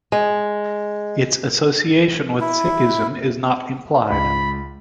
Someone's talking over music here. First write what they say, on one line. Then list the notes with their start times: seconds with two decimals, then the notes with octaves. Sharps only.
Its association with Sikhism is not implied.
0.12 G#3
2.40 E4
4.10 C#2 B5